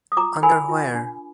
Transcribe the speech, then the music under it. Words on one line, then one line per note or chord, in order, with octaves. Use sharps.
Under where?
D#6
F4 A#5 D6
A#4 G#5 B5
F4
D4